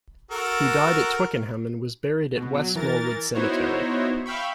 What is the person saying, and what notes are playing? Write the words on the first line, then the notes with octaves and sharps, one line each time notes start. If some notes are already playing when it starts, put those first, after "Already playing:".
He died at Twickenham and was buried at West Norwood Cemetery.
F#4 A4 A#4
B2
F#3
E3 A#4 A6
B3 D#4 E4 F#4 C5 C#5
E5 F5 G5 B5 C#6